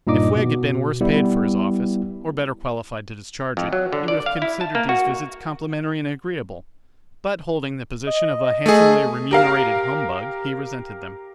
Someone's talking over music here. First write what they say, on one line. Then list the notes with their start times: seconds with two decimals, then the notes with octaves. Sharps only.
If Wegg had been worse paid for his office, or better qualified to discharge it, he would have considered these visits complimentary and agreeable; but, holding the position of a handsomely-remunerated humbug, he resented them.
0.07 G2 A#2 D#4 D#5 D6
0.36 B2
1.01 G3 B3 E4
3.57 F2
3.73 F#3
3.93 D3
4.08 D5
4.26 F5
4.42 E4
4.61 A5
4.75 A#3
4.89 F#4
8.07 D#5
8.66 A3 G#4
9.31 G4 A#4 F5